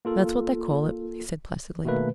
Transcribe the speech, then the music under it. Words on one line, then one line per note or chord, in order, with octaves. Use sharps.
"That's what they call it," he said, placidly.
A#3 F4 A4
B2 D#3 A3 A#3 B4